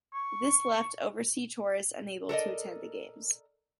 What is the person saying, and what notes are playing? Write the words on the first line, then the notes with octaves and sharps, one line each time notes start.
This left overseas tourists unable to attend the Games.
C#6
A4 A#4 D5 D#5